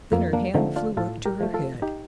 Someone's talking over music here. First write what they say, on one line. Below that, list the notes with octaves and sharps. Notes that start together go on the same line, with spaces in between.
Then her hand flew up to her head.
F2 A#3
A#3 D4
D3 F3 A3 C4 D#4
D4 F4
A2 F4 A4
G4 A#4
F3 A3
F4 A4
D#4 G4